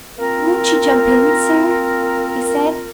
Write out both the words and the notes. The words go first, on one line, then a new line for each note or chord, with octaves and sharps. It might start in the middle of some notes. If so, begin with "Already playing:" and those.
"Won't you jump in, sir?" he said.
A#3 C4 F4 A#4